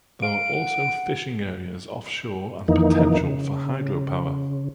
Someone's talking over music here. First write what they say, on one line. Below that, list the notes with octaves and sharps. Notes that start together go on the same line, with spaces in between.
There are also fishing areas offshore and potential for hydropower.
F5 D7
F#5
F2 D#3 E3 A#3 D#4
C#3